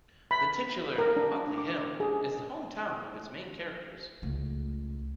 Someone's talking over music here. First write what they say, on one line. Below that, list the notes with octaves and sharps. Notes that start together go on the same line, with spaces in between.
The titular "Ugly Hill" is the home town of its main characters.
B5
A#4
D4
D6
G#4
C#2 A3